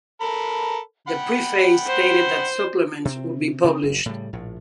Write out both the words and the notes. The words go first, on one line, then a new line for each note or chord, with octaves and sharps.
The preface stated that supplements would be published.
A4 A#4 B5
F#5 G5 B5
C5
C3 C4
C#3 C4
F#1
A2 C#3 G3
A#1 A2